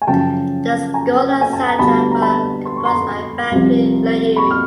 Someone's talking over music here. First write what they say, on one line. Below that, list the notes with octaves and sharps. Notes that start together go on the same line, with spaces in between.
The score and soundtrack were composed by Bappi Lahiri.
G#5
F#2 C#3 F3 G5 A5
G#5 A#5
G5
G#5
A5
A#5
D2 D3 G3 B3 A5 B5
A#5
A5 B5
C6
C#6
A#5 C6
C2 C3 F3
B5 C#6
F6